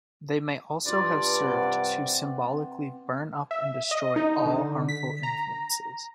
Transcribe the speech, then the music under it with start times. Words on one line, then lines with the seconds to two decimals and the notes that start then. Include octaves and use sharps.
They may also have served to symbolically "burn up and destroy all harmful influences".
0.85 G2 F4 B4 D5
1.40 C3 F#5
3.51 E5
3.91 D#5
4.16 D#4
4.46 D3
4.89 B6
5.23 A#5